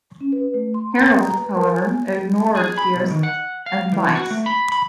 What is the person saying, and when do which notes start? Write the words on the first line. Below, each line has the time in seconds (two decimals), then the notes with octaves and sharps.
Harold, however, ignored Gyrth's advice.
0.21 C#4
0.32 B4
0.54 A3
0.74 C6
0.92 A#5
1.07 D#6
1.20 A#5
1.37 B4
1.54 A#4
1.71 G#5
1.86 B3
2.56 G#4
2.78 B5
2.95 B1
3.11 D#3
3.23 F#5
3.66 F5
3.92 E3
4.15 F#4
4.31 A3
4.46 B5
4.72 B5